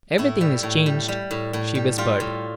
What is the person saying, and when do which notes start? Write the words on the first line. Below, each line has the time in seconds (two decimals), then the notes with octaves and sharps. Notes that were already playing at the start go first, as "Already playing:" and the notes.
"Everything is changed," she whispered.
0.18 A2 E4
0.41 G3
0.63 A2
0.86 G3
1.08 G3
1.31 A2
1.53 A2
1.75 G3
1.98 G3 F4
2.20 A2